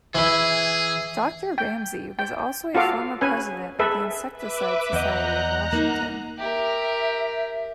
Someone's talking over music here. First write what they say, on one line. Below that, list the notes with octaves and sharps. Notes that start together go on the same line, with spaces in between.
Doctor Ramsay was also a former president of the Insecticide Society of Washington.
E3 E4 G#4
G5
G5
F4 F#4 A4 F5 D6
C#4 B4 G#5
G#4 A4 B4 E5
B4 E5 D6
E2 D#5 F#5 A#5 F#6 G6
A#3 D#4
G4 A#4 E5